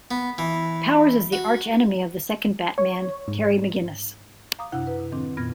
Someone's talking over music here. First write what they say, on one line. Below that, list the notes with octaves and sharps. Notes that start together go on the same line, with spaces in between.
Powers is the archenemy of the second Batman, Terry McGinnis.
B3
E3
F#4
C#5
G#2
F5 A#5 D6 D#6
F#2 C3 D4 E4 F#5 F#6
B4
A2 D#3 C4 D4
F2 A#2 B3 F6 G#6 A#6